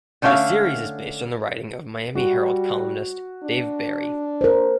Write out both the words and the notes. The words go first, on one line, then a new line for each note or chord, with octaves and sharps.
The series is based on the writing of "Miami Herald" columnist Dave Barry.
D3 A3 C#4 E5 F5
G3 F#4
D4
A#4 C5